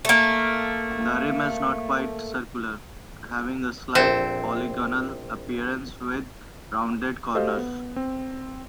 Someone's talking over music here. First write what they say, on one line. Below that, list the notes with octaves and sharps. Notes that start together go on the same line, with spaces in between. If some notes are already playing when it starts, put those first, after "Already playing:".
The rim is not quite circular, having a slight polygonal appearance with rounded corners.
A3 A#3
A#1 C4 A4 E5
F#4 G4 A4 C5 D#5 F5
B3
C4